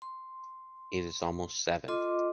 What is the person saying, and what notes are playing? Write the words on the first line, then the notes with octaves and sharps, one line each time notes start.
It’s almost seven.
C6
F4 A4 D#5 C6 D6